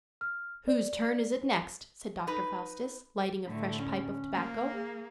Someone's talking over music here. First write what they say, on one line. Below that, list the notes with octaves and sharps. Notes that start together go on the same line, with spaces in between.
"Whose turn is it next?" said Doctor Faustus, lighting a fresh pipe of tobacco.
F6
D5
D#4 B4
A2 D3 A3
C#4
A#3
G#4